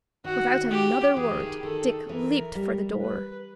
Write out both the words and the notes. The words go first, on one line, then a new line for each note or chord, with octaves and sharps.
Without another word Dick leaped for the door.
D#3 F#4
G4
E3 G#4
D#3
D#3 A4
E3 A#4
G3
B4